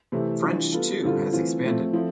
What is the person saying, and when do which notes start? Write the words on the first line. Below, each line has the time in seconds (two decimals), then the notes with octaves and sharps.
French too has expanded.
0.12 C3 E3 A3 C4
0.42 E3 G3 D4 F4
0.72 G3 B3 F4 A4
1.04 D3 G3 C4 F4 A4
1.33 E3 A3 C4 F4
1.63 F3 A3 C4
1.93 F3 C4 E4 A4